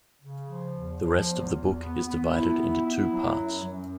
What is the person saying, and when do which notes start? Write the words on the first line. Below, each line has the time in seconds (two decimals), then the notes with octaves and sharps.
The rest of the book is divided into two parts.
0.22 C#3
0.47 F3
0.75 E2
1.01 F3
1.26 E2
1.54 E2
1.80 B3
2.06 B3
2.32 E4
2.60 B3
2.86 E4
3.12 F#3
3.39 F#2
3.65 F#2